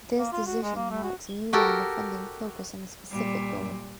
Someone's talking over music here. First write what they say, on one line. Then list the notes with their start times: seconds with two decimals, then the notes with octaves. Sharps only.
This decision marks a new round of funding focused on a specific goal.
0.19 A#3
0.32 F4
0.47 F#4
0.63 G#3
0.76 A#3
0.91 A3
1.03 F#4
1.53 F#4 G4 A4 A#4
3.11 A#2 G3